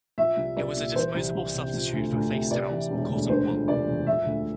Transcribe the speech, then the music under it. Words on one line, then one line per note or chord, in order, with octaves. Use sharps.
It was a disposable substitute for face towels or cotton wool.
F3 E5
C2
C2 D5
A#2
E3 C5
C2
C2
C3
F3
D2
D2
C3
C3 D5
E3
E1
D2
D3 C5
F3
F1 D5
E2
F3 E5
D2